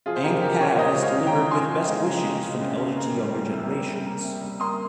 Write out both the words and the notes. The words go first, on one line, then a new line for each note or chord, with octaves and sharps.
Ang Pav is delivered with best wishes from elder to younger generations.
F3 F4 G#4
C5
C#3 G4 A#4
F3 G4 A#4
C#3 A#4 C#5
C#3 C5 D#5
G#3
C#5 F5
C#3
G5 A#5
C#3
F3 G#5 C6
F3
G#3
C#3
G#3
C#3
C#3
C#3
A#3
G3
G3
C3
G3
C3
A#3
C3
G3
A#3 C6 D#6